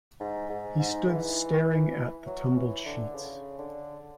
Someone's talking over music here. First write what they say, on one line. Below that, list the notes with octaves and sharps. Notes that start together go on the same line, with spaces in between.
He stood staring at the tumbled sheets.
G#2
G#2
G#2
E3
F#3
E3
D3
C#3
D3